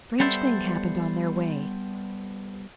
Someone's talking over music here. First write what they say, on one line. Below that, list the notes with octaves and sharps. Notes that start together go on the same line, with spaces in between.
A strange thing happened on their way.
G3 B3 A4 C5 D5 E5